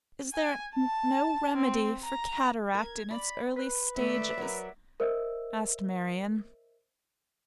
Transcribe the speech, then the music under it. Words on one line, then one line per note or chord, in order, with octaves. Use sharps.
'Is there no remedy for cataract in its early stages?' asked Marian.
G#5
A5
C4
A#5
A#4 G#6
D5 B5
B4
D#3 A3 D5 E5
F#3 A#4
A#4 C5 D#5 E5 E6